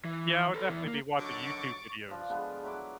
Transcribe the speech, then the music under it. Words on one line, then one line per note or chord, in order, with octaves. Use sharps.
Yeah, I would definitely be watching YouTube videos.
E3
A4 B4
E2 E3
A#3
D3 D#3 F#3 C#6 D6 A6
F3 B4 D5
D3 F3 G#3 B3
F#3 E4 B4 D6